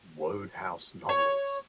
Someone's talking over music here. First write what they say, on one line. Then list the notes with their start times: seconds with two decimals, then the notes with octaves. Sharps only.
Wodehouse novels.
1.09 C#5